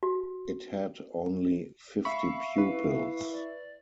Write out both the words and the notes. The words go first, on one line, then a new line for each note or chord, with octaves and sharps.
It had only fifty pupils.
F#4
E5 F5 B5 C#6
E4 B4
D5